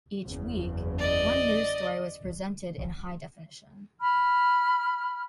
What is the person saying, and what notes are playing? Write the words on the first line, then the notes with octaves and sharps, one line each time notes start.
Each week, one news story was presented in high-definition.
F#1 E2 C#3
D5 D#5
B5 F6